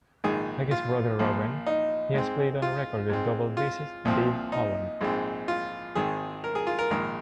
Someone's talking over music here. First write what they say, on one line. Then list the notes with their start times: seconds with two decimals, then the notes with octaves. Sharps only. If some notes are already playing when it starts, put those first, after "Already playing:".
Like his brother Robin, he has played on record with double bassist Dave Holland.
0.24 A#1 G#2 D#3 G#4
0.71 F4
1.19 A#1 A#2 F3 A#3
1.67 D#4
2.14 G#2 G#3 C4
2.62 F4
3.10 G#2 G#3 C4
3.57 F4
4.05 C2 A#2 F3 C4
4.52 D#4
5.01 A#1 G#2 G#3 C4
5.48 F4
5.95 G#1 G#2 D#3 C4 G#4
6.44 A#4
6.55 G#4
6.67 F4
6.79 A#4
6.91 A#1 G#2 D#3 A#4